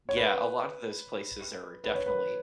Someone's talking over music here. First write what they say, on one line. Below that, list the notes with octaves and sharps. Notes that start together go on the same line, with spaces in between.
yeah, a lot of those places are definitely,
C#5
B4
B4
C#5
B4